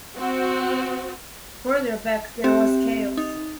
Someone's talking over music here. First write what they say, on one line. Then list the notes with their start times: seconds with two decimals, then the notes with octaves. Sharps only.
Further back there was chaos.
0.17 C4 F#4
2.44 C4 G4 E5
3.17 D#4